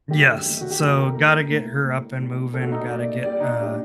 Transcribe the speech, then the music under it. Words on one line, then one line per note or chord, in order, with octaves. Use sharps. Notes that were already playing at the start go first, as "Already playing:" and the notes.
Yes, s so gotta get her up and moving, gotta get, uh,
F#2 D3 A3 G4
F#2 D#3 A3
F#4
G4
F#2 D#3 A3 A4
A#4
A2 A3 A#4
A2 A3
A2 G3
A2 G3
A#2 A3 A4
F#4
D#4
A#2 A3 D5
A#2 G3 D5
D#4
A#2 G3 D4